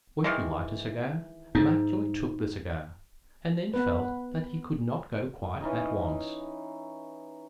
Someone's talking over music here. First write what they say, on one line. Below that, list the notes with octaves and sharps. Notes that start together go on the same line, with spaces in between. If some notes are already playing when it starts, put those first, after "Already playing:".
"Won't you light a cigar?" Mountjoy took the cigar, and then felt that he could not go quite at once.
D#3 E3 G#3
G#2 D#4
B3 B4
E3 C#4 D#4 D#5